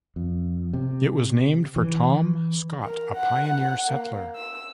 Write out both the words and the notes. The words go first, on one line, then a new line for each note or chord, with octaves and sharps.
It was named for Tom Scott, a pioneer settler.
F2
C3
E3
A#4
F#5
A#3
E6